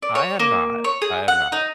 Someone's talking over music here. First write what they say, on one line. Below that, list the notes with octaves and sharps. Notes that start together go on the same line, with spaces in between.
I have not. I have not.
D5
C#5
A#3
C#5
G#4
F#5
D#4